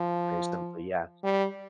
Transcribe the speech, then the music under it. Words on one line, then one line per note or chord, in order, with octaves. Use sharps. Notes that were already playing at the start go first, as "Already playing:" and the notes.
very simply yeah.
Already playing: F3
G3